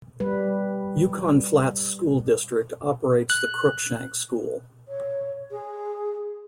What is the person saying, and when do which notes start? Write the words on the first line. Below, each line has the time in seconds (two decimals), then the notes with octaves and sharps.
Yukon Flats School District operates the Cruikshank School.
0.20 G3 B4
3.30 F#6
4.88 C#5
5.51 G#4